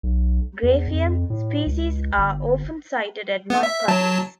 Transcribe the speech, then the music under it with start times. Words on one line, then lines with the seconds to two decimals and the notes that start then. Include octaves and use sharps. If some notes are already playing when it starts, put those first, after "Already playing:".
"Graphium" species are often sighted at mud puddles.
0.03 B1
0.63 E2
0.88 F2
1.30 A2
1.67 C#2
2.18 G1
3.50 B3
3.63 E5
3.88 F#3 A5